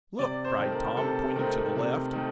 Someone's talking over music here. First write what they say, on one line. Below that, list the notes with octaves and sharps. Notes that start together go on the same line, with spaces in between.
"Look!" cried Tom, pointing to the left.
C3 D5
C5
D#3 A3 C4
A#4
C3 A4
D#3 A3 C4 A#4
C3
D#3 A3